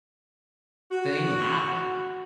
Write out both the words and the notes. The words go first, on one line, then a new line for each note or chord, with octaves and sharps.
thing happen.
F#4